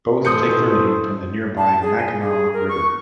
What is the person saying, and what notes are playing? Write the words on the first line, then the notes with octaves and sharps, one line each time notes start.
Both take their name from the nearby Mackinaw River.
A2 E3 A4 C5 D#6 G6 C#7
A5
G#4
G#5
G#4
A#4
C#6